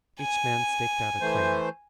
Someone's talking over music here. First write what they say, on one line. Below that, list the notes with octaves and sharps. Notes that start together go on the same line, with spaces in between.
Each man staked out a claim.
G#5
E3 A3 C5